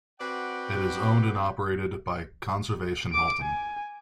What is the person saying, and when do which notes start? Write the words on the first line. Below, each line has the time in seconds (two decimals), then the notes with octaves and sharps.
It is owned and operated by Conservation Halton.
0.21 C4 F#4 B4 D5 F#5 G5
3.13 D6 D7
3.42 G#5